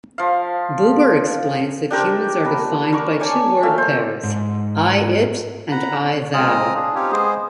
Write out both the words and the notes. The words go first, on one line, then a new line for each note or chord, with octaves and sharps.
Buber explains that humans are defined by two word pairs: "I-It" and "I-Thou".
F3 F5
D4 G4 A#4 C5
A#3 B4
A#4 C#6 D6
C#5 D5 G#5 A5
A3 A#3 F5
C5
G#2
F#5 A#5 B5
C#5
G#3 C4 F4 A#5 D#6 F6
D4 G#4
C4 C#4 D#4 F4 G4 C#5
G#3 B3 G#4 C5